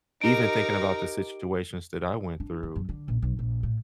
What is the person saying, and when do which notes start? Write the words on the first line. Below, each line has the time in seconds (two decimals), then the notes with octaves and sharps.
even thinking about the situations that I went through,
0.21 D#4 G4 A#4 D7
2.40 D4
2.63 E3
2.76 F#2
2.89 D3
3.08 A#1
3.22 B1
3.39 A#1
3.63 A2